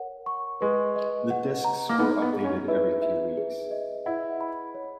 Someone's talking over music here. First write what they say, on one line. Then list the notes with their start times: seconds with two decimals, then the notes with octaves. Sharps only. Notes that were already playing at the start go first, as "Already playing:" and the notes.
The discs were updated every few weeks.
Already playing: A#4 C#5 F#5
0.26 C#6
0.61 G#3 B4
0.96 D#5
1.31 F#5
1.65 A#5
1.89 A#3
1.98 B3 D#4
2.22 B3
2.33 G#4
2.44 C#4
2.68 E4 B4
3.02 E5
3.37 G#4
3.71 D#5
4.06 E4 F#5
4.41 B5
4.75 C#5